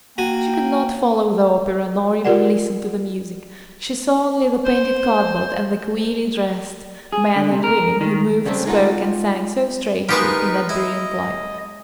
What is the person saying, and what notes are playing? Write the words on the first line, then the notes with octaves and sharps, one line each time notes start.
She could not follow the opera nor even listen to the music; she saw only the painted cardboard and the queerly dressed men and women who moved, spoke, and sang so strangely in that brilliant light.
A#3 F#4 G5 G#5
F4 G4 A#4 D5 F#5
C5
G#4
D3
C3
A#4
D#3
C#3 G3 A3 C4
G#3 D#4 F4 F#4
G#3 B3 D#4 F4 G4 A#4 B4 C#6
E4 D#5